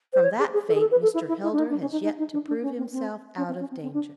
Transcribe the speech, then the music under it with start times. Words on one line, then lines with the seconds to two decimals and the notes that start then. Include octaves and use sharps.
From that fate Mr. Heldar has yet to prove himself out of danger.'
0.13 C5
0.24 C#5
0.39 G#4
0.53 G#4
0.68 A4
0.74 G#4
0.80 A4
0.91 B4
1.02 A4
1.13 E4
1.28 E4
1.43 E4
1.52 D4
1.58 D#4
1.69 D4
1.80 C#4
1.91 D#4
2.02 D#4
2.18 D#4
2.32 D4
2.47 D4
2.62 C#4
2.77 C4
2.92 C4
3.37 C#4
3.48 C4
3.59 C#4
3.70 C4
3.82 C4
3.93 D4